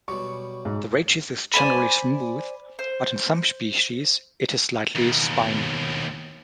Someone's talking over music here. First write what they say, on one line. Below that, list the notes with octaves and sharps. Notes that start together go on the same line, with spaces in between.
The rachis is generally smooth, but in some species it is slightly spiny.
B2 F#3 G3 C#6
G#2
C5 D5 G#5 B5
C5
D#2 B2